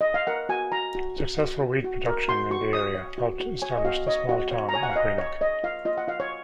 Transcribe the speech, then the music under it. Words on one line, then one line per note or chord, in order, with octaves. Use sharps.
Successful wheat production in the area helped establish the small town of Greenough.
D#5
F5
A#4 F#5
F#4 G#5
F#4 A#5
F#4
F#4
F#4
F#4
F#4
A#4
F#4 C6
F#4 C#6
C#5 D#6
C#5
F#4
F#4
C#5 G#5
D#5
F#4 F5
C#5 D#5
F#4
C#5
A#5
C#5 G#5
F#5
F5
C#5 D#5
C#5
C#5 D#5
F4 F5
F4 D#5
F#5
F4 F5
C#5